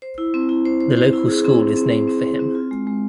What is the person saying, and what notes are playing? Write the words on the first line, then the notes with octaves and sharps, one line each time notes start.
The local school is named for him.
C5
E4
C4
E4
C5
C5
C5
E4
G#4
C4
C4
C4
C5
C4
C4
C4
F4
G#3
G#3